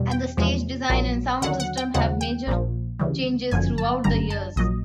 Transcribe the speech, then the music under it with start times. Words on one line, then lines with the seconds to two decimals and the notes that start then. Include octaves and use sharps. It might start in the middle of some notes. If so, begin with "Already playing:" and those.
And the stage design and sound system have major changes throughout the years.
Already playing: E2 B2 G3
0.11 G5
0.37 E2 C3 F3 G#3
0.89 A#1 A#2 F#3
1.42 D#2 D3 F#3 F#5
1.60 F#5
1.77 G5
1.94 D#2 C#3 F3 G#3 F#5
2.21 G5
2.47 A#1 A#2 F3
2.99 D2 C#3 E3 G3
3.51 G1 F#2 D3 F3 G#5
3.78 A5
4.04 G1 F#2 D3 G3 A#5
4.30 A5
4.56 A#1 A#2 F#3 D#5